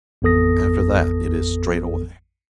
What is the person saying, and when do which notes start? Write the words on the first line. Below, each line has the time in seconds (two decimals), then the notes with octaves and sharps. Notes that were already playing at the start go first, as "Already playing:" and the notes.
"After that it is straight away."
0.22 A1 F2 B3 A4 D#6 A#6